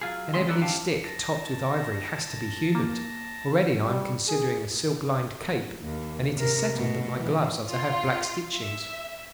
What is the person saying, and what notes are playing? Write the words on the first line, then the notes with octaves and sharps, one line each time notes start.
An ebony stick topped with ivory has to be humoured. Already I am considering a silk-lined cape, and it is settled that my gloves are to have black stitchings.
F#3 F4 G#4
C#3 G#3 C4 G#4 E5 C6
D#4 E4 G4 A4 B4 D5
F#2 C#4 G4 F5 G5 A5
A5 A#6
A#3
G3
G#4
D#2
C3 A#4
B2 A3
E3 F3
F4
E5